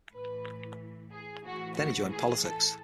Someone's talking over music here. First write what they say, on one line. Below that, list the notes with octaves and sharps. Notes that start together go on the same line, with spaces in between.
Then he joined politics.
A2 E3 B4
G#4
A2 E3 F#4
F#4
G#4
A4